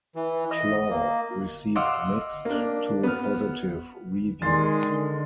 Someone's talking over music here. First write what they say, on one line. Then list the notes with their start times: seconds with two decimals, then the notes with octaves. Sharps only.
"Claw" received mixed-to-positive reviews.
0.15 E3
0.51 D#5
0.89 A#3
1.76 D#5 F5 F#5 C6 D6 E6
2.45 A#3 D4
3.03 B3 F6
4.42 D#3 G#3 D5 C6 A6
4.87 D3